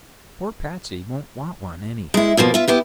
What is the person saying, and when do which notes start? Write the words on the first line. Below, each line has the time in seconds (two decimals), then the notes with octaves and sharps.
Poor Patsey won't want one, anyhow.'
2.14 G#3 E4
2.37 F2 B2 F3 A#3
2.54 F4 E5
2.68 B3 E4 G4